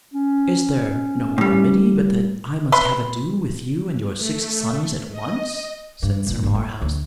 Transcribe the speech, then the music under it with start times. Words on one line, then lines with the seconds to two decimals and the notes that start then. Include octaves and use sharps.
Is there no remedy but that I must have ado with you and your six sons at once? said Sir Marhaus.
0.14 C#4
1.38 A2 G3
2.72 B4 C6
4.18 A3
5.12 D#5
6.02 G2
6.27 A#2 D#3
6.43 G#1 G#3
6.55 A3
6.81 D2